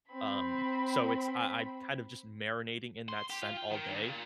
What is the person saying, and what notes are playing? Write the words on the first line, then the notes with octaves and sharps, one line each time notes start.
um, so it's I I kind of just marinating in that scent all day.
C4 B5
C6
G4
F4
G5
D#3
G2
A#2